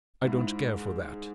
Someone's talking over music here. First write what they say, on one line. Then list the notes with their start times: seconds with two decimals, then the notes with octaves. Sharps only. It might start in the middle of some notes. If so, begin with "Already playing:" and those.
I don't care for that.
0.22 G#2 E4
0.67 G#4